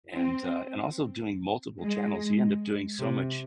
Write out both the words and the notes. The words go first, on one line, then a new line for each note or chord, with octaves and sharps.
and, uh and also doing multiple channels, you end up doing so much
C4
G#3
C3